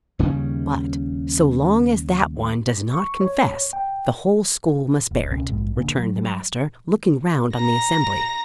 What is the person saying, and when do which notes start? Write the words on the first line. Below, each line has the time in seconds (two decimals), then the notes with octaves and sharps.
"But, so long as that one does not confess, the whole school must bear it," returned the master, looking round on the assembly.
0.19 D#2 C#3 G3 C#4
2.93 C#6
3.21 C#5
3.73 G5
5.11 E1
5.30 C#2 B2 C4 C#4
5.49 A#1 G#2
5.76 A#2 D3
5.98 F#3
7.54 A#5 A#6